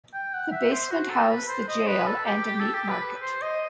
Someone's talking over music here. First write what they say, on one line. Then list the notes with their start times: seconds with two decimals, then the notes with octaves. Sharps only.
The basement housed the jail and a meat market.
0.14 G5
0.34 F#5
0.52 E5
0.72 C5
0.91 F#4
1.10 A4
1.30 B4
1.48 C5
1.68 D#5
1.87 B4
2.07 A4
2.26 G4
2.46 G4
2.60 A4
2.74 G4
2.89 B4
3.22 C5
3.42 D#5